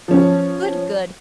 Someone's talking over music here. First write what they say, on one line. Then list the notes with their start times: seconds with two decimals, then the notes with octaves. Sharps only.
Good, good.
0.08 F3 C#4